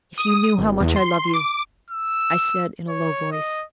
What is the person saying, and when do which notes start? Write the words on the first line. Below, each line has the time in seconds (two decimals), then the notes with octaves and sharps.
"If you knew how much I love you!" I said in a low voice.
0.18 D#6
0.58 G#1
0.80 E2
0.96 C6
1.34 D6
1.90 E6
2.88 C#5
3.32 D#5